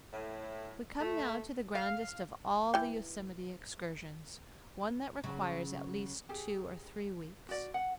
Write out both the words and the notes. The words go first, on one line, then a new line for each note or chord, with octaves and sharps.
We come now to the grandest of all the Yosemite excursions, one that requires at least two or three weeks.
A2
A3
F5
E3 G5
C#3 F#3
G4 G#4
F#4 D5
F#5